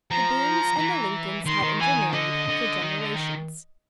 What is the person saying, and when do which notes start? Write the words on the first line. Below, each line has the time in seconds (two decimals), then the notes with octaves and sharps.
The Boones and the Lincolns had intermarried for generations.
0.10 F3 A#5
0.78 E3
1.46 D#3 C6
1.62 D#3
1.80 E3 G#5
1.96 D#3
2.13 D3 D#5
2.47 D3
2.81 D#3
2.98 D3
3.15 D#3